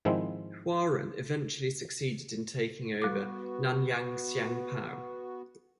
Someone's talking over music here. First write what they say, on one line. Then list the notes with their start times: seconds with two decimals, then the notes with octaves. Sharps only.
Huaren eventually succeeded in taking over "Nanyang Siang Pau".
0.05 G#2 D#3 F3 G#3 C4 E4
3.02 G3 B3 F#4 D6